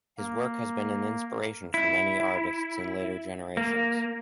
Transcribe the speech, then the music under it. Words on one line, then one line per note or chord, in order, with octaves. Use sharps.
His work has been an inspiration for many artists in later generations.
A#3
E4
A#3